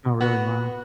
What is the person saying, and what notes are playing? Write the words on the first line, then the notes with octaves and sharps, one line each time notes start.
Oh, really? Wow.
B3 F#4